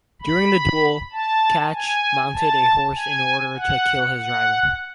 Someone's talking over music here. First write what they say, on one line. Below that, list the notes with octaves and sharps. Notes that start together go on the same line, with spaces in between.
During the duel Chach mounted a horse in order to kill his rival.
B5
A5
G#5
A5
G#5
F#5
F#5